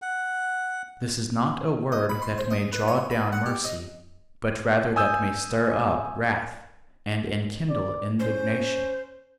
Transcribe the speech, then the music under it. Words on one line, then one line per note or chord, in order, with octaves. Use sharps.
This is not a word that may draw down mercy, but rather that may stir up wrath, and enkindle indignation.
F#5
D#5
B5
C6
C5
D#5
B4
C#5
B5
F#5
G4
D#5
G#5 D#6 E6 G6
D5
C#4 C5